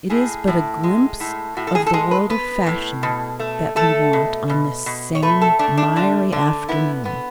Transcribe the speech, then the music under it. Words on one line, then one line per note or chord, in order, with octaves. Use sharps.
It is but a glimpse of the world of fashion that we want on this same miry afternoon.
A2 G#4
A2
G#3
A2
A2 F#4
A4
G#4
A4
G#3 G#4
B4
B3 B4
A2
B2
A3
A3 A4
B2
B2
B2
C#5
A3 B4
A4
A3 D4
D4
D3 D4
D3 D4
B3 E4
B3